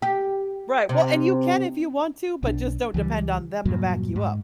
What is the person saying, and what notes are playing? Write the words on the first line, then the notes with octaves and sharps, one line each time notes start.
Right. Well, and you can if you want to, but just don't depend on them to back you up,
G4
C3
B1 D4
C#2 E3 F#3 G3
E2 G2 A#2 F#3
G#2